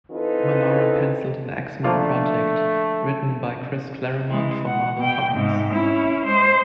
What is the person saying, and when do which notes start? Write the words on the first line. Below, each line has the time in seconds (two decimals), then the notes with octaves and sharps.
Manara penciled an "X-Men" project written by Chris Claremont for Marvel Comics.
0.11 E3 C4 D#4 F4 A4 B4
1.84 D3 F3 A3 A#3
4.29 E3 G#3
4.67 F#5
4.97 B2 G5
5.33 G#2 C3
5.74 C#4 E4
6.25 G#3 C5